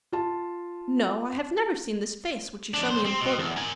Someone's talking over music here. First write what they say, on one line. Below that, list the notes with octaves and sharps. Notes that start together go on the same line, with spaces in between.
No, I have never seen this face which you show me in the photograph.
F4 A5
F2 D4
B1 C5
C4
B2
E2
A#4 G#5